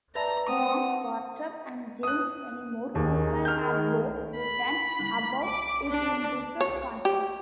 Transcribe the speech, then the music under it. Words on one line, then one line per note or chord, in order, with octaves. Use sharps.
John Bartram and James Fenimore Cooper had both written about it in different contexts.
B4 D5 E5 A5 A#5
C4 F#5 D#6
D#6 F#6
D#2 D#3 G#4
F6 G6
B5
D6
D4
C#5
G4